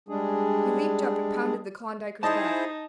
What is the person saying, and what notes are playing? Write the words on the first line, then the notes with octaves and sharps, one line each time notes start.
He leaped up and pounded the Klondiker's back.
G3 G#3 D4 G#4
D#4 E4 G#4 C5 D#5 A5